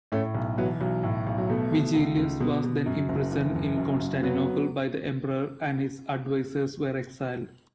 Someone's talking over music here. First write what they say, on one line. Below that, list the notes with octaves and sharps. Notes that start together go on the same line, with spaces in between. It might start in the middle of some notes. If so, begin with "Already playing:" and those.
Vigilius was then imprisoned in Constantinople by the emperor and his advisors were exiled.
A2 A3 C#4
B1
E3 F#3 B3
B1 F#3
A2
B1
F#3
B2 A3
B2
C#2
C#2
B2
B2
F#2
F#1
E3
F#1
F#2
F#1
F#3 B3